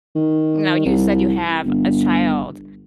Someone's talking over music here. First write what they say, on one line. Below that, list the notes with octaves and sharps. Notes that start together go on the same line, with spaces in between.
Now, you said you have a child.
D#3
C2
G1